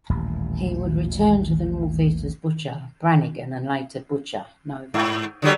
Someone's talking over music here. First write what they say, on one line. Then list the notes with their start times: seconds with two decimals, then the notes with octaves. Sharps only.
He would return to the Northeast as Butcher Brannigan and later Butcher Nova.
0.10 D#1 A1 D#2
4.94 G#2
5.42 D3 F#3 G3